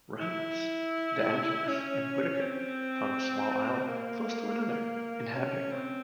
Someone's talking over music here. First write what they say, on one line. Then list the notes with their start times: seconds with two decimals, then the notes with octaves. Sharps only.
Reynolds, De Angelis, and Whittwaker found a small island, close to another, inhabited one.
0.20 E4
1.68 C#4
2.41 C4
3.88 A#3
5.34 C#4
5.72 C4